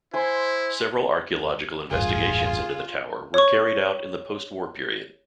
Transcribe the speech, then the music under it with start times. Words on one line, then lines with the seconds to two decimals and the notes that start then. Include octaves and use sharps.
Several archaeological investigations into the tower were carried out in the post war period.
0.14 E4 C5 G#5 C6
1.91 E1 A1 G2 F4 G#4
3.34 C#5 C#6